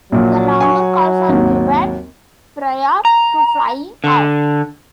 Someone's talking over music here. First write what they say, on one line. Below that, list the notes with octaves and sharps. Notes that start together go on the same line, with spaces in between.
The longer calls are given prior to flying off.
A#1 A#2 F#3
G#5 C#6
G#1 D#2
A#5
D3